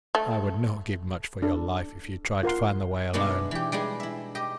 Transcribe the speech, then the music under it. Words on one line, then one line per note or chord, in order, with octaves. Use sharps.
I would not give much for your life if you tried to find the way alone.
A3
D4 A4
F4 A#4 F#5 C6
B2 G#3 B3 D4 E4
E3 G4
G3 G#3 D4 G#4
E4 E5
G4 D#5